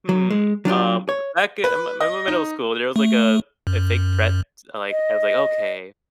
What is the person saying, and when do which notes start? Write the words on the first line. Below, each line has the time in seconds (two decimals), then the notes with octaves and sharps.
Hmm." Um, b back in m m m-middle school, there was, like, a a fake threat it's like I was, like, "Okay."
0.09 F#3
0.30 G#3
0.65 F#3 D4 F4 G4
1.09 C#5
1.64 B4
2.01 D#5
2.28 D#4
2.96 A3
3.67 F#2
4.91 D#5